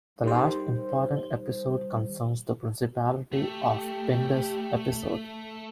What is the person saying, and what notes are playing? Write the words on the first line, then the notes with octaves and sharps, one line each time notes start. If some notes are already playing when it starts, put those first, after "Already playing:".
The last important episode concerns the Principality of Pindus episode.
D#3 G3 C5
A3 G4